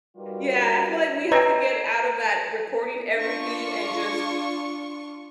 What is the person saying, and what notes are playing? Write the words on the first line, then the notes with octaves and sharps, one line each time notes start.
Yeah, I feel like we have to get out of that recording everything and just
G3 D#4 F4 F#4 A#4 B4
B4 C#5 D#5 A#5 E6 G#6
D4 F4 C#6